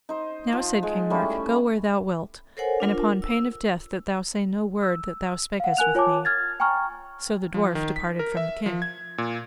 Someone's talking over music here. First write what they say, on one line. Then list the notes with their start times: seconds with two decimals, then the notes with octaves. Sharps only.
Now, said King Mark, go where thou wilt, and upon pain of death that thou say no word that thou spakest with me; so the dwarf departed from the king.
0.09 D#4 C5
0.52 F3
0.83 G#3
1.10 G3 A3 C#4 E4
2.57 A4 A#4 C5 C#5 F#5 G#5
2.80 D4 F4 A#4
3.22 E6
4.83 E6
5.60 F5 F#5
5.77 A#4 G#5 F#6 F7
5.95 F4 C#5 G#5 A5 D6
6.25 F6 G#6 A6
6.60 G5 G#5 A#5 C#6 F6
7.54 F3
7.75 D#3
7.96 B6
8.19 A#4
8.37 E5
8.66 F3
8.82 G#6
9.18 A#2